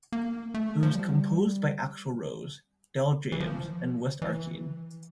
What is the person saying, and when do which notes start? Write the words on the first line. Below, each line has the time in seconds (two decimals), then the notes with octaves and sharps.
It was composed by Axl Rose, Del James and West Arkeen.
0.13 A#3
0.54 A3
0.83 F3
0.94 G3
3.32 E3
3.40 F3
4.22 E3